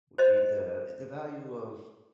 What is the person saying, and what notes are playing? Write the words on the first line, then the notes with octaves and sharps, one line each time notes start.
would be the, the value of
C5 D#5